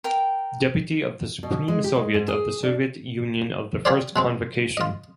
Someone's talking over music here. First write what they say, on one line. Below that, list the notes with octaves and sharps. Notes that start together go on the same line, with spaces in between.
Deputy of the Supreme Soviet of the Soviet Union of the First Convocation.
A#4 G5
B2
G#3
G4
G#3
G#2
G#4
D4
F4 G4 G#4 C5 D5
B2 G#3 C4
F4 D#5